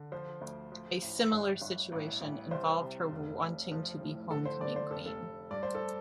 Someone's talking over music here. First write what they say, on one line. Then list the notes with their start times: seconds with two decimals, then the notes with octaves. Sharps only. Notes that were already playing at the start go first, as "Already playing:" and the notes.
A similar situation involved her wanting to be Homecoming Queen.
Already playing: D3
0.12 F3 C5
0.41 D2
0.72 F3
1.02 A1
1.31 G1
1.62 G1
1.92 A1
2.21 A1
2.51 C2 C5
2.81 C3
3.11 F1
3.41 F1
3.72 F3
4.01 A2
4.31 D3 A4
4.45 C5
4.61 D3 D5
4.76 C5
4.91 F1 A4
5.06 A4
5.21 F1
5.51 G2 D5
5.63 C5
5.75 A4